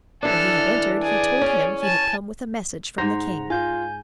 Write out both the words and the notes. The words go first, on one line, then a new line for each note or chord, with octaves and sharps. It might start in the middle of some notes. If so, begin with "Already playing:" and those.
When he had entered, he told him he had come with a message from the king.
E3 D4 A4 F6
G#4 D5
C#4
G#5 A5
G#2 C5 F#5 A#5 A#6
F4 G#5 G6